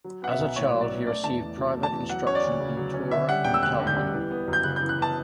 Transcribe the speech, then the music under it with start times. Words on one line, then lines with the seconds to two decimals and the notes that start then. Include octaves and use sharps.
As a child he received private instruction in Torah and Talmud.
0.04 F#3
0.22 B3 F#5
0.31 E5
0.39 B1
0.56 A2 C#5
0.74 F#3
0.81 D5
0.91 B3
1.07 A3 D5
1.24 E2 A5
1.42 E2
1.57 B2
1.76 A3
1.83 A5
1.92 E2
2.09 F#3 F#5
2.27 C#4 C#5
2.35 D5
2.43 D2
2.60 C#3
2.77 F#3
2.94 C#4
3.11 D3 E5
3.29 G3 F#5
3.44 E1 G5
3.54 E6
3.62 D2 F#6
3.80 D3
3.87 G6
3.97 G3
4.14 E3
4.31 B3
4.48 F#2
4.53 G6
4.63 C#3 F#6
4.76 E3 G6
4.89 F#6
4.99 B3 A5